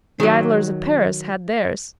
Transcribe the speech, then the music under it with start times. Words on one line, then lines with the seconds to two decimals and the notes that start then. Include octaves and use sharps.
The idlers of Paris had theirs.
0.20 D#3 F#3